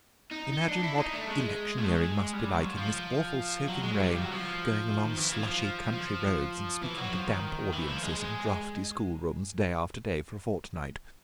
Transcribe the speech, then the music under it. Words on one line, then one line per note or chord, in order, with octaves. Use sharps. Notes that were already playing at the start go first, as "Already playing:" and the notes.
Imagine what electioneering must be like in this awful soaking rain, going along slushy country roads and speaking to damp audiences in draughty schoolrooms, day after day for a fortnight.
D#4
D#4
D4
E4
D4
D#4
A3
G#3
A3
G#3
G3
F#3
F3
F3
F#3
G#3
F#3
G3
F3
F#3
F3
D#3
E3
F3
F3
F3
E3
F#3
F3
D#3
E3
F3
G#3